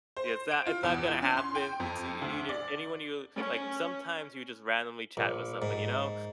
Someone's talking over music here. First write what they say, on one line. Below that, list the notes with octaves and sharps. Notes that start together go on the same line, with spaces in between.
Yeah, it's not it's not gonna happen, it's e e e-either anyone you like sometimes you just randomly chat with someone, you know?
C5
D7
F4
E2
C#4
C6
G5
F2
D2
D5
C#4
A#1
G#2